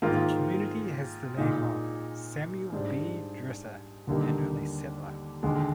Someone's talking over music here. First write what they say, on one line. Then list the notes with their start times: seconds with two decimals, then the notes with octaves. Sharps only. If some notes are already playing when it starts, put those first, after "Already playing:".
The community has the name of Samuel B. Dresser, an early settler.
0.02 G#2 D#3 A#3 F4
1.38 A#2 G#3 D#4
2.72 G#2 G3 D4
4.07 D#2 D3 G3 A#3 D#4
5.43 D#2 D3 G#3